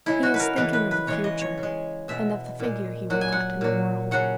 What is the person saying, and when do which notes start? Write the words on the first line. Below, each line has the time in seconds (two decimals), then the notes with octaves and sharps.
He is thinking of the future and of the figure he will cut in the world.
0.06 C#3 G#3 E4
0.23 F#4
0.34 B4
0.39 A#4
0.56 C#3 E3 G#3 B4
0.73 B4
0.91 B4
1.07 C#3 E3 G#3 C#5
1.24 D#5
1.41 C#5
1.58 C#3
1.63 G#3
2.08 B2 G#3 E5
2.60 A#2 G#3
3.10 A#2 F#3 F#5
3.21 G#5
3.32 F#5
3.61 A#2 F#3
4.11 C#3 F#3 F#5